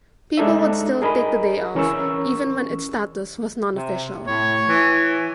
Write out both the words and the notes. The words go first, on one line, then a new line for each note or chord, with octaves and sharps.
People would still take the day off even when its status was non-official.
G#3 D4 D#4 A4 D5 E5
G#4 A#4 D#5 B5
E3 C#4 A#4 C#6 E6
C3
A2 C#5
E3